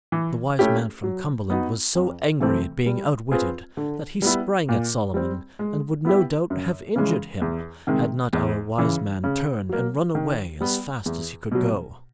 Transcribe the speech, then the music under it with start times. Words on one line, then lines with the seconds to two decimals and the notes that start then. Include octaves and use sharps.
The wise man from Cumberland was so angry at being outwitted that he sprang at Solomon and would no doubt have injured him had not our wise man turned and run away as fast as he could go.
0.12 E3
0.59 A3 C#4 E4 G4
1.04 F#3
1.50 B3 D#4 F#4
1.95 F2
2.40 C3 E3 A3 C4
2.86 G3
3.32 C4 F4 G#4 B4
3.77 D3
4.22 G3 B3 E4
4.69 A#2
5.14 G3 C4
5.59 G#3
6.05 B3 E4 G4
6.50 F#2
6.96 C#3 E3 G#3
7.42 E2
7.87 C3 D#3 G#3
8.33 E2
8.78 C#3 E3
9.24 C#3
9.69 F#3 A#3
10.15 D#3
10.61 G3 B3
11.06 E2
11.51 B2 F#3